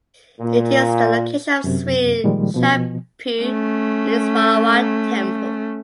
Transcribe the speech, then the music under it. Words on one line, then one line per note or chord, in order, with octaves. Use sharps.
It is the location of Sri Shambhu Lingeswara Temple.
A#2
F#2 C3
A#2 D#3 F3 G3 G#3
B2 F3
A3 C#4